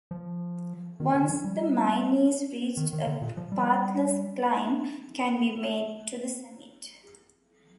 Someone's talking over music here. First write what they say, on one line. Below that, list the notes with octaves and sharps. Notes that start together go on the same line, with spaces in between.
Once the mine is reached a pathless climb can be made to the summit.
F3
D#3
D3
F3
G3
D#3
D#3
D3
A#2
F3
G3